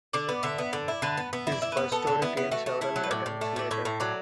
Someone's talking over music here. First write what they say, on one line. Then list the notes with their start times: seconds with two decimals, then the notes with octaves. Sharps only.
His first story came several attempts later.
0.13 D3 D5
0.29 B3
0.43 D3 E5
0.58 B3
0.73 D3 D5
0.88 E4
1.02 D3 B4
1.17 B3
1.33 B3 E5
1.47 E4
1.52 D5
1.62 E4
1.72 B3 B4
1.92 B3 A4
2.07 D3
2.22 B3 E4
2.37 B3
2.52 A3 F#4
2.66 A3
2.81 A3 E4
2.96 F#3
3.04 B4
3.11 A2 D5
3.26 A2
3.41 A3
3.56 A2 D5
3.71 A2 E5
3.85 A2
4.00 F#3 D5